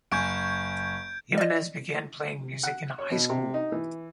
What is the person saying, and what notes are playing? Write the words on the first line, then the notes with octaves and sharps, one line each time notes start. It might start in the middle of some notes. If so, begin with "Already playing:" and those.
Jimenez began playing music in high school.
F#1 G#5 C#6 G6 G#6 D7
D5 D#5
F#5
C#5
B2
C3
D#4
E3